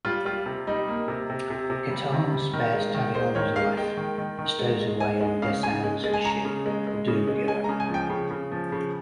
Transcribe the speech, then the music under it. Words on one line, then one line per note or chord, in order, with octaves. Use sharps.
Katarn spares Tavion's life and stows away on Desann's ship, the "Doomgiver".
G3 F4
G3 F4
C3
G3 D#4
A#3
C3
C3
C3
C3
G3
C3
G3
D#3
G#3
D#3
G#3 C5
D#3 C#5
G#3 F5
G#3 G5
D#3
D#3
D#3
G#3
G#3
G#3 G#5
G#3
C#3 F5
C#3 G#5
G#3
G#3
G#5
C#3 A#5
C#3
G#3
G#3
C#3
G#3
G#3 G#5
A#5
C#3
G#5
F3
G5
C#3
C#3
F3
C#3